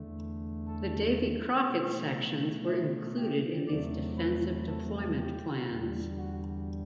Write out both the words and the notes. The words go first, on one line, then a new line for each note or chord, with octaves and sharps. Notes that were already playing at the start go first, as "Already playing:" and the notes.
The Davy Crockett sections were included in these defensive deployment plans.
Already playing: E2 D3 A3
A4
B2 A3
E4
G4
E2 C3 F#3 A3 D5
B4
A4
G4
E2 D3 G3
F#4